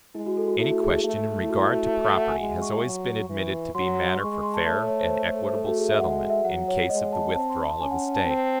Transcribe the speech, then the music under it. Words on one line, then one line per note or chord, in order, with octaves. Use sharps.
Any question in regard to property has always been admitted to be matter for fair and equitable settlement, in case of the withdrawal of a State.
G#3 E4
F#4
A4
F#4
A3 E4
F#4
G#4
A3
E4
F#4
E4
F#4
E4
F#4
E5
F#5
G#5
G#3 F#5
C#6
F#3
E3
F#3 C6
G#3 C#6
C6
A5
A3 A5
C#5
C#5
C5
C5
A4
C5
A4
F#4
G#4
E5
G#3 F#5
E5
F#3 F#5
C#5
G#3 D#5
A5
C4 A5
C6
A5
C#4 G#5
F#5
G#5
A5
C4